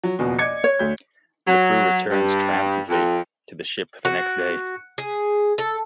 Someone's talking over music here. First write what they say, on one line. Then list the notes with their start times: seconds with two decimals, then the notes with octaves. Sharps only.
The crew returns triumphantly to the ship the next day.
0.04 F#3
0.19 F#1 E2 B2 F3
0.39 D5 D#5 D6 G#6 C#7
0.64 C#5
0.79 D2 G6
1.46 F#3
2.09 G2
2.88 F2
4.05 F#4
4.98 G#4
5.58 A4